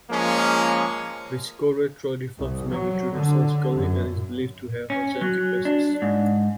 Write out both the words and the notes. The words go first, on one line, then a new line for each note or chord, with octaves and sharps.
Vesicoureteral reflux may be treated surgically, and is believed to have a genetic basis.
F3 G#3 A#3 C#4
C2
F#3
D3
F#2
C#4
F#3
D4
G#2